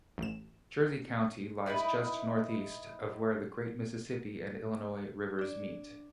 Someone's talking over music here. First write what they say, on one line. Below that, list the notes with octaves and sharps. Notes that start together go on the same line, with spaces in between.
Jersey County lies just northeast of where the great Mississippi and Illinois rivers meet.
A1 E7
D#4 E4 A4 B4
D4 D5